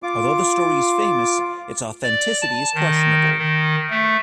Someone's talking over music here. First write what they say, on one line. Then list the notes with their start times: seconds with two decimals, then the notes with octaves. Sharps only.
Although the story is famous, its authenticity is questionable.
0.03 F4 D6
2.03 D5
2.42 A5
2.75 D#3
3.39 D#3
3.90 A3